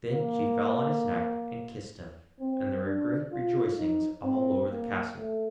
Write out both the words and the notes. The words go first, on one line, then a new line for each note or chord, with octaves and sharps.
Then she fell on his neck and kissed him, and there were great rejoicings all over the castle.
A#3
C4
D4
F4
D#4
C4
A#3
A3